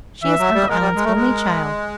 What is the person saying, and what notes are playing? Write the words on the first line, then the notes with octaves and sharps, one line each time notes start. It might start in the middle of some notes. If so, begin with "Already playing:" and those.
She is Uncle Allan's only child.
E3 E5
F#3
G3
G#3 A#4
G3
G#3
A3
G#3